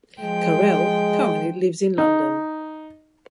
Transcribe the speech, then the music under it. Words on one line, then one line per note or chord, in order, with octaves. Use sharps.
Carrel currently lives in London.
F3 G#3 G5
D#4